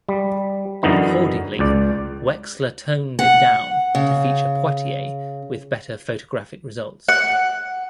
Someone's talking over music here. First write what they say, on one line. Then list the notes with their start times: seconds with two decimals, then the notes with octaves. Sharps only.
Accordingly, Wexler toned it down to feature Poitier with better photographic results.
0.09 G3
0.83 F#2 D3 E3 B3 D#4
1.59 C#2 D5
3.19 F#5
3.95 C#3
7.08 F#5